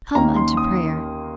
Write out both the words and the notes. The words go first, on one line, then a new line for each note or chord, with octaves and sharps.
Come unto prayer!
D#2 D#3 A#3 C#4 A#5
C6
D#6